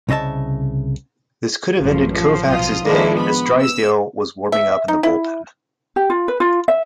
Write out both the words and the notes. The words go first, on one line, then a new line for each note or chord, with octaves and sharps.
This could have ended Koufax's day as Drysdale was warming up in the bullpen.
C2 C#3 D#5 E5 A5
A1 F#2 F3
F3
B1 F3 F4 D#6
D#3 F3 G#3 A#3 D4 E4
B3 B5
E6
E5
D#4
E4
G4
F4
B4
F4
E5